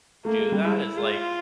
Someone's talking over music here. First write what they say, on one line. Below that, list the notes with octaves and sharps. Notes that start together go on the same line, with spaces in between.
do that is, like,
A3 A#3
G#3
G3
G#3 E4
G#3 F4